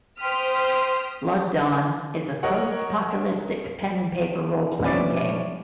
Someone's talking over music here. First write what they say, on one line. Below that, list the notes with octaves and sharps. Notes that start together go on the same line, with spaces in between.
Blood Dawn is a post-apocaclyptic pen and paper roleplaying game.
C5 G5 C6 D#6 F6 B6
A#4 C#5 D#5 F#5
E3 F3 C#4 G4 B4 D5